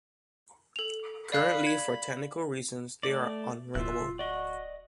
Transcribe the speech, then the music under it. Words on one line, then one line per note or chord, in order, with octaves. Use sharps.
Currently for technical reasons they are unringable.
A4 F7
D5 F5 B5 F#6
G#6
A3 D5
D1 F4 E5 F#6
F#4 D5 D#5